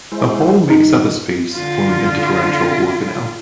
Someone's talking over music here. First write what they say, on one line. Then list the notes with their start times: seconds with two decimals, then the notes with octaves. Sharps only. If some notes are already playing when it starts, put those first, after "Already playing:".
The whole makes up a space forming a differential organelle.
0.12 G#3 E4 C5
0.70 G2 D#3 D#4
1.54 D3 F4